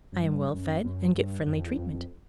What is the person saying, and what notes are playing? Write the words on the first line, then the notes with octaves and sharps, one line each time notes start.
I am well fed, and get friendly treatment.
F#2
G2
F#2
F#2
G2
F#2
F2
E2
F2
F2